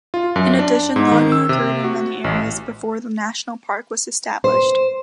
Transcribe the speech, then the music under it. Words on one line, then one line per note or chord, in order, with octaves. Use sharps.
In addition logging occurred in many areas before the national park was established.
F4
F#2
D4
G#2
D#3
E6
C3
F#4
A1
C5